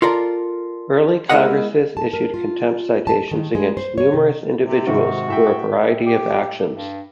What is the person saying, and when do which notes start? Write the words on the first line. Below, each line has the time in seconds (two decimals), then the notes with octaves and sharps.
Early Congresses issued contempt citations against numerous individuals for a variety of actions.
0.02 F4 A4 A#4 D5
1.29 G#3 B3 E4 A#4 D#5 F#5
1.97 A5
2.13 A#4
2.34 F4
3.07 A5
3.31 D#3
3.55 G#3
3.77 C5
3.98 C#5
4.14 C3
4.64 C3
4.87 G#2 C3 D#3 F#4
5.28 A2 E5 G5
6.06 G4
6.72 G2